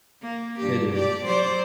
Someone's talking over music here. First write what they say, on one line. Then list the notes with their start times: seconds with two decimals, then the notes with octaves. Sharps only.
It is.
0.22 A#3
0.59 G2 G4
0.94 G4 D5
1.24 F#3 C5 D5